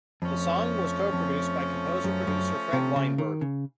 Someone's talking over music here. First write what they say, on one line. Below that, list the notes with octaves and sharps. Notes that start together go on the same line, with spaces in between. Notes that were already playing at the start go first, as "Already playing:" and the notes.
The song was co-produced by composer-producer Fred Weinberg.
F2 F3 A3 C#4
F2
F#2
F#2
C3
C#3
D#3
C#3